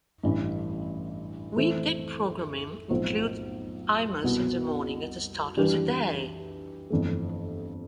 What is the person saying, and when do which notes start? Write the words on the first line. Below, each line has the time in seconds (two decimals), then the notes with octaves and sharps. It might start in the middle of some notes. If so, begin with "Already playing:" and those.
Weekday programming includes Imus in the Morning at the start of the day.
0.23 A1 G2 E3 G3
1.57 E3 A3 C4 E4
2.90 B1 A2 F3 C4
4.24 C2 B2 B3
5.57 E3 G3 D4 G4 B4
6.90 G1 F2 E3 A3